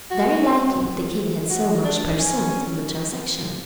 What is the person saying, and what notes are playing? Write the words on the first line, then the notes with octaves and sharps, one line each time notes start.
Very likely the king had so much per cent. on the transaction.
F#4
F#4
D4
C#4